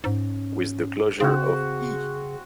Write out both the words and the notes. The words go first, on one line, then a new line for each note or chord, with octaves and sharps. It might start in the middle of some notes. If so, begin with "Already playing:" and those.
With the closure of E!
G#2 C#4
C#3 C4 D4 F#4
G#4